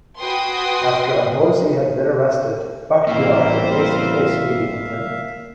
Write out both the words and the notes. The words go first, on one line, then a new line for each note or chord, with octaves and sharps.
After Amrozi had been arrested Bachtiar had a face-to-face meeting with him.
F#4 B4 G5 G#5 C6 D#6
A1 G3 A#3 C4 C5 E5 F5